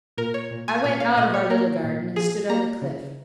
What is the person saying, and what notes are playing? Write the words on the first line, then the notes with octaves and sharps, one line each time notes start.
I went out of our little garden, and stood on the cliff.
A#2 A#4
C#5
A#2
G#5
A#2 G#5
F5
A#2 D#5
C#5
A#3 A#4
A#2
F3 G#4
A#3 A#5
C#3